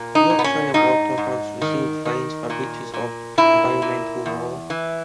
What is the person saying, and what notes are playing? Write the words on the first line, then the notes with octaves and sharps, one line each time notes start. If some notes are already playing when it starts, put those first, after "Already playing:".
Yorkshire Water has received fines for breaches of environmental law.
Already playing: A#2
D#4
A#2
B3
C#4
G#2 D#4
G#2
D#3
D#3
A#2
A#2
A#2 E4
A#2
E2
E3